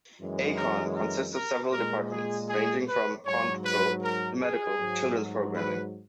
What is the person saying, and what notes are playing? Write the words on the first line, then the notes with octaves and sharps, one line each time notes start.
A-Kon consists of several departments, ranging from Kon Patrol to Medical to Children's Programming.
F#2 E3 G#3
A#4
A#4
A#4
A#2 G#3 A#4
G#4
G#4
B4
G#2 F#3 C#5
B4
A#4
G#4
G#2 F#3
B4